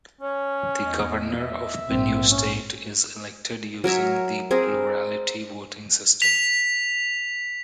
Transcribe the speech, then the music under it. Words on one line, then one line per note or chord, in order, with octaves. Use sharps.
The Governor of Benue State is elected using the plurality voting system.
C#4 C#5
E2 D#5
E5
A#1 G#2 C4
C#4
F#3 A#4 C#5 E5
C4 G#4 A#4
B6 F7